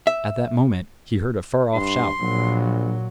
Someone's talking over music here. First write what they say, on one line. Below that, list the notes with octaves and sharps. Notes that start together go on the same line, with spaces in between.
At that moment, he heard a far-off shout.
E5
G2 C6
A#1 A#2 F#3